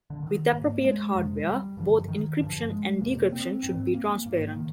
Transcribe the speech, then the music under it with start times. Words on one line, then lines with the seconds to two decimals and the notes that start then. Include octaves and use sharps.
With appropriate hardware, both encryption and decryption should be transparent.
0.10 D3
0.22 D#3
0.53 G#2 A#3
0.80 A#3
0.84 G#3
1.15 F2 C3 G#3
1.47 G3
1.77 G2 D3 F3
2.08 D#3
2.39 G2 D3 F3
2.70 G#3
3.01 F2 C3 A#3
3.32 C4
3.63 G#2 C4
3.94 A#3
4.26 G#2 A#3
4.52 D3
4.56 D#3